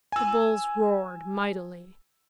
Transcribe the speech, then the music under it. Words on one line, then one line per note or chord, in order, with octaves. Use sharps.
The bulls roared mightily.
G#5 E6